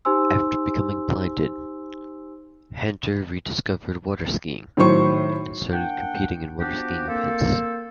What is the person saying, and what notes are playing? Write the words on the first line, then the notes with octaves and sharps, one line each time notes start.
After becoming blinded, Henter rediscovered waterskiing, and started competing in waterskiing events.
D#4 G4 C5 G#5 C6 E6
A2 D#3 F#3 C5 C#6
A#3 D4 F#5 G5
F3 B3 D4 F#4 G4
A#3 C4 A4